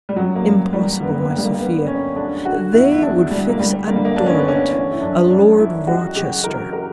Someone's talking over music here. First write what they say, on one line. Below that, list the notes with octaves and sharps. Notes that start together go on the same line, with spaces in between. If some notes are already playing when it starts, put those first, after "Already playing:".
Impossible! my Sophia; they would fix a Dorimant, a Lord Rochester.
G3
F#2 F#3
A#3
F#2 G3
E3 G3
F#2 B3
A#3
B3
D3 A#3
G3
A#3
D2 B3
D3 C#4
D2 D4
D3 F#4
E2 E4
E4
E2 D4
D3 G3
A#3
D2 G3
D3 A#3
G3
A#3
D2 D4
C#4
B3
D3 C#4
E3 C#4
E4
F#2 D4
F#2 D4
E3 E4
C#2 F#4
C#3 G4
E3 A#4
A#4